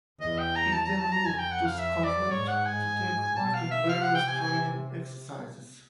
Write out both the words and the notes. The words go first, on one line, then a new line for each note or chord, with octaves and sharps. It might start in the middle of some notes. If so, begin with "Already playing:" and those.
It then moved to Scotland to take part in various training exercises.
E2 D#5
G5
A#5
A5
A#5
A5
A#5
F2 G#5
G5
F#5
F5
E5
D5
G#2 C#5
F#5
G#5
B2 A5
F5
E5
C3 F5
F#5
G5
G#5
G#5